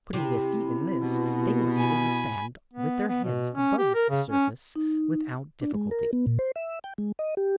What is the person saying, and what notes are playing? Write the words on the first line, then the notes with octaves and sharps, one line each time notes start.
Putting their feet in this, they were able to stand with their heads above the surface without difficulty.
C3 E4
B2
G#5 B5
B3
B3
B2
C#4
G4
A#4
C#3
C#4
D#4
D4
G#3
A#4
B3
A#2
C5
E5
G5
G#3
D#5
G4